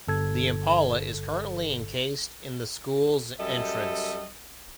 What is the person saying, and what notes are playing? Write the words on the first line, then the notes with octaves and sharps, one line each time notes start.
The impala is currently encased in the school's entrance.
G1 A4 G#6
F#2 G3 A4 D#5 E5